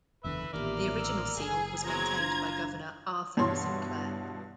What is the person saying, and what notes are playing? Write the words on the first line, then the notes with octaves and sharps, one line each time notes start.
The original seal was maintained by Governor Arthur Saint Clair.
F#1 E2 D3 B4 E5
A1 A#2 D#3 A#3 B3 G4 D5 E5
A#5 E6
F#1 G#4
F#3 G#3 B3 C4 A#5 G#6
D4 F4 C5 F5
G2 B2 E3 C#5 C6